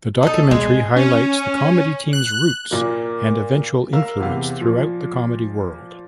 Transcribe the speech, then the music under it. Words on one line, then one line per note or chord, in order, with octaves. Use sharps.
The documentary highlights the comedy teams roots and eventual influence throughout the comedy world.
D#4 A4
B2 G#3
C#4
F#6
A#2 A#3
A#4 F5 E6
E2 C3 F5
A#2 F3